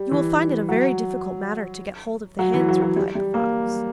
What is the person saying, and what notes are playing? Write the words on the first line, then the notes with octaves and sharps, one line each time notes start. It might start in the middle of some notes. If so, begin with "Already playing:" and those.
'You will find it a very difficult matter to get hold of the hens,' replied the fox.
Already playing: G3
E3
F#3
F#3
E3
F#3
F#3
G3
G3
A#3